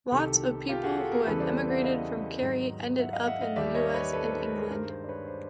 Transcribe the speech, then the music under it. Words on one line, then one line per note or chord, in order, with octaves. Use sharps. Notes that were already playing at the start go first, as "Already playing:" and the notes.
Lots of people who had emigrated from Kerry, ended up in the US and England.
C2 C3 D#3 G4 A4
F4 G4
F#4 G#4
G4 A4
G#4 A#4
E2 C#3 E3 G3 A4 B4
C5 D5
E5 F#5
D#5 F5
G#2 D#3 F#3
E5 F#5
D#5 F5
E5 F#5
D#5 F5
D#2 D#3 G3 D5 E5
C#5 D#5
B4 C#5
A4 B4
A#4 C5
A4 B4
G#4 A#4
G2 D#3 G#3 A#4 C5
A#4 C5
D5
B4 C#5
C5 D5